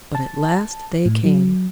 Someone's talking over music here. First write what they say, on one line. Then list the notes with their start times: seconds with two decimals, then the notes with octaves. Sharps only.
But at last they came.
0.15 A5
1.06 A2
1.25 F#3